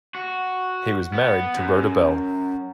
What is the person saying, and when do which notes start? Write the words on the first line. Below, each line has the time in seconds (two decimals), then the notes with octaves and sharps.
He was married to Rhoda Bell.
0.15 F#4
1.13 B3
1.56 F#2